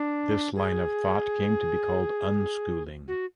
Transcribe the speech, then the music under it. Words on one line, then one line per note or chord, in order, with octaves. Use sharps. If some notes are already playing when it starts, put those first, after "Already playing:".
This line of thought came to be called unschooling.
Already playing: D4
G#4
F#4